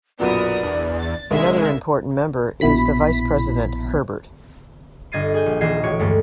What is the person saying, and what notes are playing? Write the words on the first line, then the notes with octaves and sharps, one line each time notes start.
Another important member is the vice president "Herbert".
B1 F#2 A#2 B3 A#4 D5 D#6
E2 D4
A6
C2 D3 G#3 E5
A#1 B2 E4 B5 B6
G1 D#5 G#6 A6 C7 D#7
G#4 G#5 G6
A#1
D#1 E3 D#5 G#6 C7 E7
A1 F#4 C#5 D7
D2 G2 G#3 A3